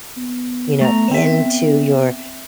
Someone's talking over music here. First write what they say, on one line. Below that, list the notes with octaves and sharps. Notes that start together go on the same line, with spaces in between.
you know, into your
B3
A3 A#5
C4 E5